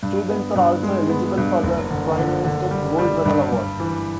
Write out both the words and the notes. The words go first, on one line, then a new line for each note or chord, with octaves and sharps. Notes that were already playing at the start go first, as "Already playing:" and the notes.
Students are also eligible for the Prime Minister's Gold Medal award.
G2
B3
G2
G#3
B3
G2
F#1
D3
D3
D3
G3
G3
G2
G2
E3